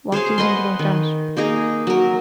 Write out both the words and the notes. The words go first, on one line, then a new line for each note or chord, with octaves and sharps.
What do you think about that?
G#4 C5 C#5 F5
B4 D#5 F#5 C6
D#3
A#3 D#4 G#4 A#5
F#3 A#4